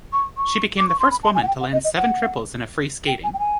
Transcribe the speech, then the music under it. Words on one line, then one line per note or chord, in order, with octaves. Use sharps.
She became the first woman to land seven triples in a free skating.
C#6
C#6
D6
C#6
C6
B5
A5
G#5
F#5
G5
F#5
D#5
D#5
F#5
G5
G#5
G5
G#5